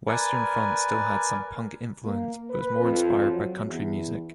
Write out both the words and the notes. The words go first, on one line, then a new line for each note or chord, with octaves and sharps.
Western Front still had some punk influence but was more inspired by country music.
A#4 B4 D5 G#5
A#3
B4
F2
F#3
E2